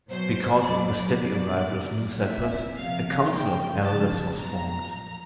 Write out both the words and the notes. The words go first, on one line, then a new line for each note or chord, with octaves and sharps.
Because of the steady arrival of new settlers, a council of elders was formed.
B2 F#3 C5
A#2 F#3 D5
B2 F#3 D5
A#2 F#3
C3 E3 E5
C3 F3 F5
C#3 F3 G5
C#3 F3 A5
B2 F#3 A#5
A#2 F3